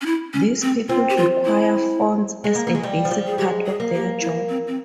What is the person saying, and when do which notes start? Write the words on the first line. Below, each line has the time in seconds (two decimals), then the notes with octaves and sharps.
These people require fonts as a basic part of their job.
0.01 C#4
0.06 E4
0.33 C#4
0.62 C4
0.89 C4 F4
1.10 G4
1.17 F4
1.45 E4
2.44 G#3
2.55 A#3
2.67 A#3
2.75 G#3
2.83 G3
3.05 F3
3.11 G3
3.27 G#4
3.38 G#3 G4
3.66 G#4
3.80 A#3
3.94 G4
4.21 E4
4.49 C4
4.67 C4